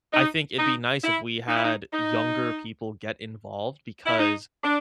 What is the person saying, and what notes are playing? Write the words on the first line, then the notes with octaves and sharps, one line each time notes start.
I think it'd be nice if we had younger people get involved because
D#4
D#4
E4
D#4
E4
D#4
D#4
E4
D#4
D4